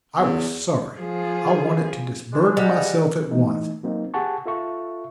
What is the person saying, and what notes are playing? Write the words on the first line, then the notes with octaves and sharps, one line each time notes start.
I was sorry; I wanted to disburden myself at once.
E2
F3 G#4
G#3 D4
G3 G#4 D#5 F#5
E3 A3 D#4
F#3 A#3 C4 D#4
G4 G#4 F#5 A5 C#6
F4 A4 E5 C#6